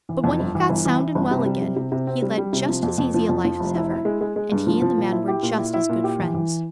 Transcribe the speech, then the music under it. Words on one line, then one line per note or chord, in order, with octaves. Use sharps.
But when he got sound and well again, he led just as easy a life as ever, and he and the man were just as good friends.
E3
F2
G1
E3
G1
E3
E3
G1
C3
G3
C3
C3
C3
C4
G3
G3
C3
F3
F2
F2
F3
F2
F3
F1
E4
E4
G#3
G#3
G#3
G2
F3
F3
A#2
E4
G4
A#2
E4
E4
A#2
G4
E3
E3